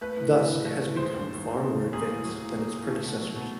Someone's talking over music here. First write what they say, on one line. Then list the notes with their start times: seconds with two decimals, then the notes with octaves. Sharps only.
Thus it has become far more advanced than its predecessors.
0.01 A3 B4
0.17 A2
0.33 E3
0.50 A2
0.65 A3
0.81 A2
0.97 G#3 C5
1.14 D#2
1.29 D#3
1.45 D#2
1.61 G#3
1.78 D#2
1.93 A#3 G#4
2.10 A2
2.25 F#3
2.41 A2
2.57 A#3
2.73 A2
2.88 A3
3.04 B2
3.21 F#3
3.36 B2